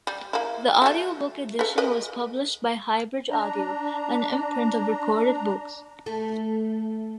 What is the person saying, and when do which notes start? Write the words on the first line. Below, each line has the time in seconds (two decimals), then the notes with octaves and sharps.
The audiobook edition was published by HighBridge Audio, an imprint of Recorded Books.
0.07 G3
0.33 A#3 E4
0.82 F#3 G#3 A3
1.59 A4 B4
1.78 A#4 B4 D#5
3.31 D4 A#5
6.06 A3